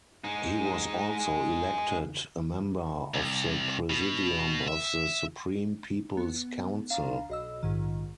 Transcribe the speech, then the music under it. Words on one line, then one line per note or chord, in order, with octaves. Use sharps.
He was also elected a member of the Presidium of the Supreme People's Council.
G#3 D#4
C2
B2
E5
B3
D4 F5 A#5
B1 D#5 E6
A#1 G#2 D#3